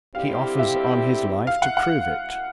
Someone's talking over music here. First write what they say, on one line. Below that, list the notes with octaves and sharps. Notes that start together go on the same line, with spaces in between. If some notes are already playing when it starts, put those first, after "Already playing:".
"He offers on his life to prove it."
D3 G3 C4 E4 G4 F5
E5
F5
F#5
F#5